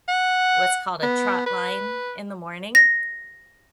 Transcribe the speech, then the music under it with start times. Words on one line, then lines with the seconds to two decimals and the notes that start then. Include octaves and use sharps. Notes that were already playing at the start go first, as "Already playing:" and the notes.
what's called a trot line in the morning
0.08 F#5
1.03 B3
1.46 B4
2.75 A#6